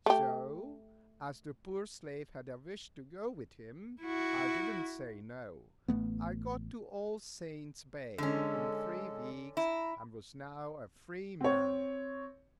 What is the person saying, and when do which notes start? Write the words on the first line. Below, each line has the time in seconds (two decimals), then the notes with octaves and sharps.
So, as the poor slave had a wish to go with him, I did not say "no." I got to All Saints' Bay in three weeks, and was now a free man.
0.06 A3 G4
4.02 E4 F#4
5.88 A1 D3 A3 B3
8.18 D3 G#3 C#4 A4
9.57 E4 A#5
11.41 C4 C#5